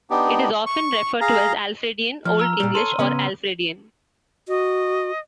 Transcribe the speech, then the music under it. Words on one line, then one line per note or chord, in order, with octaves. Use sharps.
It is often referred to as Alfredian Old English, or Alfredian.
B3 D4 D#4 G4
C#6
G#4 F5 A#5
F3 F6
A#5 E6
A#2 G3
A4 C#5 C6 D#7
C#3 B3 C#4
F#4 D#5